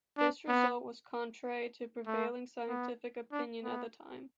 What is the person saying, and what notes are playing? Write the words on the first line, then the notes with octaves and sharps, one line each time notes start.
This result was contrary to prevailing scientific opinion at the time.
D4
B3
A3
B3
D4
B3